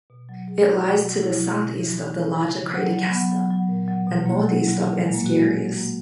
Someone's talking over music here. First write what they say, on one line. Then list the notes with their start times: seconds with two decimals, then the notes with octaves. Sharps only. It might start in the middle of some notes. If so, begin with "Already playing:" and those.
It lies to the southeast of the larger crater Kastner and northeast of Ansgarius.
0.10 B2
0.29 F#3
0.48 F#3 G#4
0.66 F#3 F#4
0.86 B2
1.04 F#3
1.23 B2 E4
1.42 B2
1.61 C#3
1.80 E3
1.99 E3 D#4
2.17 C#3
2.36 C#3
2.55 C#3
2.74 F#3
2.93 F#3
3.12 F#3 B3
3.31 F#3
3.50 F#3
3.69 A#2
3.88 F#3
4.07 B2
4.25 F#3 A#3
4.44 F#3
4.64 F#3
4.82 F#3
5.01 A#2 G#3
5.14 A#3
5.20 A#2
5.26 F#4
5.39 F#3 G#3
5.58 F#3
5.77 F#3 A#3